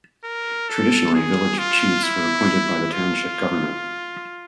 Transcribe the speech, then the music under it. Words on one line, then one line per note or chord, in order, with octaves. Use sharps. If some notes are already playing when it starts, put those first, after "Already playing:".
Traditionally, village chiefs were appointed by the township government.
A#4
A4
G#4
F4
E4
F4